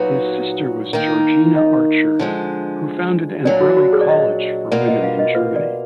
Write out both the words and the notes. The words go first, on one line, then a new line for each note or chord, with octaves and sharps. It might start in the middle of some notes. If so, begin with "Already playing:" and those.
His sister was Georgina Archer who founded an early college for women in Germany.
Already playing: A#2 F#3 B3 D#4 F#4
D#3 A#3 D#4
D#5
D3 F3 G#3
A#2 F#3 D4 D5
F#4
F#4
G#4
D5
D#5
B2 A#3 F4 D5
D#5
F5
D#5
B4
D5